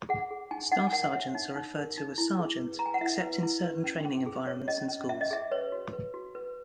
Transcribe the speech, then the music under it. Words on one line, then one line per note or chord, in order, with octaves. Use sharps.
Staff sergeants are referred to as "Sergeant" except in certain training environments and schools.
G#4 F#5
G#4
D#4 G#5
D#4 F#5
G#5
A#4 F#5
F#5
C#5 E5
D#4
D#4
A#4
D#4
E4
G#4
B4
B4 A#5
G#5
F#5
E4 E5
B4
E4
B4
C#4
C#4
G#4
C#5
C#4 D#5
C#4
C#4 E5
D#5
G#4 E5
B4 C#5
F#4
B4
F#4
B4